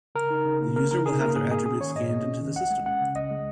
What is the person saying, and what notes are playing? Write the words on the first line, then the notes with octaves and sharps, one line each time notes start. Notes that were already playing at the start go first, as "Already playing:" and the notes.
The user will have their attribute scanned into the system.
C#3 A#4
D#4
C#3
A#3
C#3 A#4
D#4 A#4
C#3 G#4
A#3 A#4
G#2 G#4
A#3 G#4
C#4 G#4
D#3 C#5
G#2 D#5
A#3
C#4
D#3
C#2 F#5
G#3
C#4 F#5
C#3
C#2 D#5
G#3